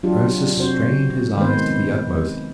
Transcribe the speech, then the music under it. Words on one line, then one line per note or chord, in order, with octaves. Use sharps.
Ursus strained his eyes to the utmost.
F#3 D4 F4 G4
C3 F#4 C5
D#3 G#3 B3 C4 B4 C5